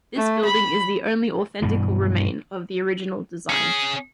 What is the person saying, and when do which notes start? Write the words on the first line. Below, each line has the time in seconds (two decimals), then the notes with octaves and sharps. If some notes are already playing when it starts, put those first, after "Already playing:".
This building is the only authentical remain of the original design.
0.16 A3
0.45 B5
1.62 G2 B2 E3
3.50 C#4 G#4